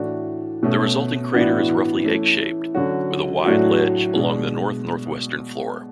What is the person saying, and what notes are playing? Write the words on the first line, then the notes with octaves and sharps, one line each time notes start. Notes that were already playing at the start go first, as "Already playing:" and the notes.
The resulting crater is roughly egg-shaped, with a wide ledge along the north-northwestern floor.
Already playing: A2 E3 A3 D4 F#4
B2 A3 C#4
A2 E3 B3 D4 F#4
E3 A3 C#4 E4
D3 F#3 C#4 F#4
A2 F#3 A3 D4 F#4
B2 G#3 D4